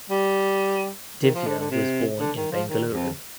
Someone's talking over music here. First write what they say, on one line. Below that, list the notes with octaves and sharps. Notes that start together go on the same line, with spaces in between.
Divya was born in Bengaluru.
G3
D#3
F3
D3
D3
C3
D3
D#3
F3
D#3
F2